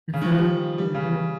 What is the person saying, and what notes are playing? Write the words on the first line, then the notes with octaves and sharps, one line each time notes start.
Mhm. Mhm.
C#3
D#3
F3
G3
G3
C#3